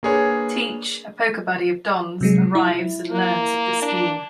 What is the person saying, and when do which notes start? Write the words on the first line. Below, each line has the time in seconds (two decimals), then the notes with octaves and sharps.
Teach, a poker buddy of Don's, arrives and learns of the scheme.
0.03 A#3 D4 G#4 B4 C#5 D5
2.21 C3 F#3 G#3
2.55 E4
3.11 A#3
3.82 D4